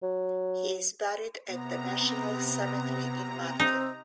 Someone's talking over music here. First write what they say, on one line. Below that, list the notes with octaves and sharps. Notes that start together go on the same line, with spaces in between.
He is buried at the National Cemetery in Martin.
F#3
C3 B3 A#5
C4 D#4